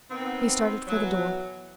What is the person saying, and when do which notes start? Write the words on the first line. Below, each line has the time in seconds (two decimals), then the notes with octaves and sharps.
He started for the door.
0.10 D#3 B3 C4
0.88 B2 E3 F#3